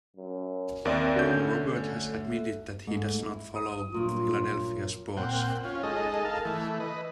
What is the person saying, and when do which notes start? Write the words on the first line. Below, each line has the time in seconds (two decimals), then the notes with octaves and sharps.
Robert has admitted that he does not follow Philadelphia sports.
0.16 F#2
0.85 D#2 C4 A#4 D5 E5
1.16 D3 A3 C#4 F#4 G6
1.64 A3
2.87 G#2 A3
3.25 E4
3.55 D#6
3.92 G2 A#2 F#3 F4
5.17 A#2 C4 F#5 G5
5.65 C#4 F4
5.83 G#3 D#4 A4 D#5
6.25 A4 A#4 F5 A5
6.45 E3 A3
6.80 B4 D#5